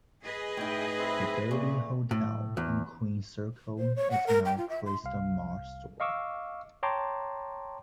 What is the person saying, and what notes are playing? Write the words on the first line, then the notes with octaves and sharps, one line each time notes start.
The Derby Hotel on Queen's Circle is now a Crystal Mart store.
G#4 B4 D#5
A2 D#4 E4 G5
C4 E4
A#2 A3
A2
E2
C5
C#5
F#5
A#4
G5
F4
E5
C6
C2 F5
D#5 F5 C#6 D6 E6
C#5 G5 A5 A#5 C6 D6